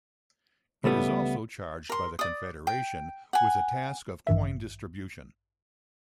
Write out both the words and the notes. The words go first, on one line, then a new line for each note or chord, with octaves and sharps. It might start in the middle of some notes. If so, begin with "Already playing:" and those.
It is also charged by the Confederation with the task of coin distribution.
C#2 G3 A3 B3
A#4 C6
D5 D#6
G5
F#5 G#5
A1 G2 D#3 E5